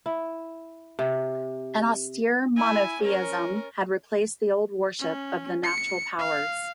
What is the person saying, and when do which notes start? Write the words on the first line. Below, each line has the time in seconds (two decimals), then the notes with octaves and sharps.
An austere monotheism had replaced the old worship of the natural powers.
0.06 E4
0.99 C3
2.57 E4 G#5
3.02 C#4 A#4
5.00 C#4
5.64 C#7
6.19 F5